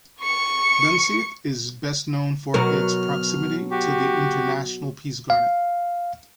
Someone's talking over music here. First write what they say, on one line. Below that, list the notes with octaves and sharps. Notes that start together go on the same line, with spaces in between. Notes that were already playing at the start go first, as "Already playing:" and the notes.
Dunseith is best known for its proximity to the International Peace Garden.
C#6 C#7
B2 F#3 A#4 F6
F#4 G4
F5